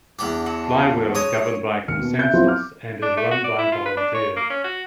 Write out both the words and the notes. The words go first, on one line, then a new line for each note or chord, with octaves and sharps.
Flywheel is governed by consensus and is run by volunteers.
E2 D4 G4 F#5
F#3 F#5 A5
F#3 G#3 C#4 C#5 D#6
D#2 F6 C#7
B2
E5 F#6 G6
F3 F#3 B3 C4 E4 F4
D6 F6
D4
A3
F#4
D5
E4
F4
B4
D4
C#5
A#3
C#4
F#4